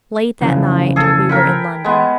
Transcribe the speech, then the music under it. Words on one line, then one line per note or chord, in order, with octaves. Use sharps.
Late that night we were in London.
F2 C#3 E3
G#4 A4
A#4 G5 B5
G#3 B3